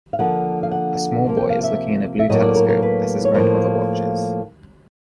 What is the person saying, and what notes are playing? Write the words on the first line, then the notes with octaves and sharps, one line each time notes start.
A small boy is looking in a blue telescope as his grandmother watches.
F5
D3 F3 A#3 F#5
F5
F#5
C3 F3 A#3
G5
F5
E5
E5
A2 F#3 A#3 D#5
D5
A#4
A#4
B4
C#5
A2 F3 A#3 C5